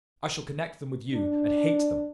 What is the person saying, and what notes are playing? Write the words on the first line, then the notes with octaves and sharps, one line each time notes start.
'I shall connect them with you, and hate them.'
D4